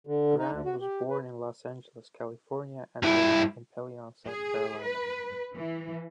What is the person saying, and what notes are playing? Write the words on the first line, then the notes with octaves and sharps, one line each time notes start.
Graham was born in Los Angeles, California, and raised in Pelion, South Carolina.
D3
D#4
D2
F#4
G4
B4
G2 E4
G#4
B4
E3